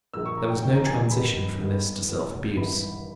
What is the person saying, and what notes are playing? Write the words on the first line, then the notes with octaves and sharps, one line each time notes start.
There was no transition from this to self-abuse.
A#1 A#2 A#3 E6
C#6
A#5
G5
E1 E2 D#3 A#3 G5
A#5
G#5
G#5
D#2 D#3 G#3 B3 B5
G2 D#3 G#3 B3
B1 A#2 G#3 B3
G#1 G2 E3 B5